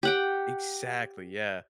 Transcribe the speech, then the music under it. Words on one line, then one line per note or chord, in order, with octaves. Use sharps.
Exactly, yeah.
G4 F#5 G5